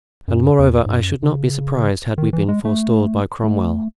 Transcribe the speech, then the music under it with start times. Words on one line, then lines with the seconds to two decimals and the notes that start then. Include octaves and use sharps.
And moreover, I should not be surprised had we been forestalled by Cromwell.
0.28 F#2
0.59 E2
0.86 G#2
0.92 F#2
1.22 C#3
2.18 D#3
2.33 E3
2.49 G#3
2.65 A3
3.44 A3